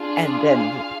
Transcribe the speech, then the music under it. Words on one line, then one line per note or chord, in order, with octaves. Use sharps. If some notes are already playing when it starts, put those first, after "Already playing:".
and then, w
Already playing: D4 F4 G#4
F5